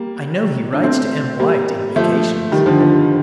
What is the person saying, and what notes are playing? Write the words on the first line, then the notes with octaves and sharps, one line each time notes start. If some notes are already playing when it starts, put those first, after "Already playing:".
I know he writes to Em White in vacations.
Already playing: G3 A#3
D4
A3 C4
G3 A#3
F3 A3
D#3 G3
D3 F3
D3 F3